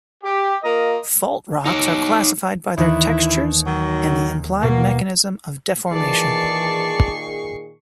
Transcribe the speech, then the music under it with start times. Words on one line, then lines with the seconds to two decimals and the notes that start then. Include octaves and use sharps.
Fault rocks are classified by their textures and the implied mechanism of deformation.
0.23 G4
0.62 A#3 F4 A#4 D#5
1.66 D#4 C#5
2.77 D#2 E3 E4 F#6
3.67 D#3 F#3
4.63 B2 A#3
5.92 A#2 D#3 E3 G#4 D5 A5 C#6 C7